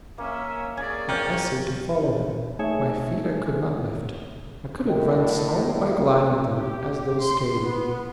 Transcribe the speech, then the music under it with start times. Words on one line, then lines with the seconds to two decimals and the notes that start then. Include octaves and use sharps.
I essayed to follow him; my feet I could not lift; I could advance only by gliding them as though skating.
0.18 A#3 C#4 E5
0.77 C#4 G#4 D5 G#6
1.09 C#4 A#4 G5 C#6 F6 G6
2.59 A3 D#4 G#4 C#5 E5 G#5
4.87 A2 A#4 D#5 G5
6.51 G4
7.20 C6
7.60 B3